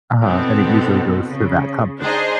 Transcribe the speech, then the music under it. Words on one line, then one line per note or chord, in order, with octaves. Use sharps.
Uh-huh. And it usually goes to that company.
B2 E3 B3 C4 A4
C#3
D4 D#4 G#4 C5 D#5 C6